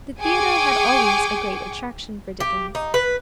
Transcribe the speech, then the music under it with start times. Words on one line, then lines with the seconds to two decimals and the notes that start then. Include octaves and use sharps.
The theater had always a great attraction for Dickens.
0.21 G#4 G5 G#5 C#6 D6
2.40 G4
2.75 D#4
2.94 B4